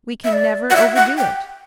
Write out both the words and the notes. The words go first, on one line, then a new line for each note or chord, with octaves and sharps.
We can never overdo it.
E5
D5
F#5
E5
F#5
G5